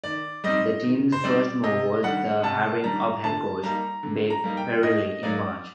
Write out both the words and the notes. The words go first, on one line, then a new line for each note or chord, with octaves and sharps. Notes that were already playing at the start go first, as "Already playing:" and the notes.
The team's first move was the hiring of Head Coach, Babe Parilli in March.
D#3 D5
G3 C4 D#4 D#5
D#3
C5
G3 C4 D#4 D5
C3 D#5
D#3 G3 D4 F#5
C3 A5
D#3 G3 D4 A#5
D3 A5
G3 A#3 D#4 A#5
D3
A#5
G3 A#3 D#4
G5
A2 D#5
F#3 A#3 D#4 D5